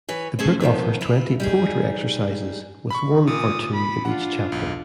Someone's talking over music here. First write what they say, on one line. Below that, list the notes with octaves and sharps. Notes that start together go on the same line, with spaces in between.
The book offers twenty 'Poetry Exercises', with one or two in each chapter.
E3 B4 C#5
A3 C#4 G#4 A4 C5
C3 D#3 F3 B3
E4 F4
G3 D#4 G#4
B5 C#6
A#2 D#6
B5
D4 F4 F#5
B1